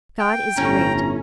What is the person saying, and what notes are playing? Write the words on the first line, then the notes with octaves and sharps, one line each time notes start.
God is great.
G5
G1 A2 C#4 A#5